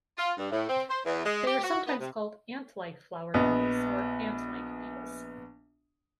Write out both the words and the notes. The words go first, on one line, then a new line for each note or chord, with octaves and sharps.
They are sometimes called ant-like flower beetles or ant-like beetles.
F4
G2
A2
C4
C5
E2
G#3
G4
F#4
B3
C3
A#1 B3 D#5